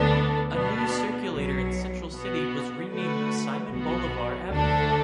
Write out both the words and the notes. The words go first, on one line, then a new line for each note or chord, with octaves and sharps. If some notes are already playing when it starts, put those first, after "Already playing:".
A new circulator in Central City was renamed Simon Bolivar Avenue.
Already playing: D2 D3 B3 D4 A4
B2 B3 D4
B1 B2 F#3
B2 B3 F#4
D3 A3 F#4 B4
B1 B2 B3 F#4
D2 D3 A3 D4 A4